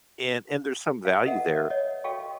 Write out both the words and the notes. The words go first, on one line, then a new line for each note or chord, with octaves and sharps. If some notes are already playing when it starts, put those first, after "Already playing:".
and and there's some value there.
F5
A4 B4 D#5 E5 F#5
C#5 D#5
F#4 A4 F5 G5 C#6